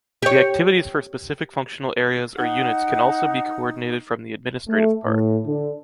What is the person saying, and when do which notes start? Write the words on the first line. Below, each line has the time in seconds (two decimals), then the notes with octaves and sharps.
The activities for specific functional areas or units can also be coordinated from the administrative part.
0.22 G4 C#5
2.38 D#4 F#5
4.68 A3
5.06 A2
5.45 D3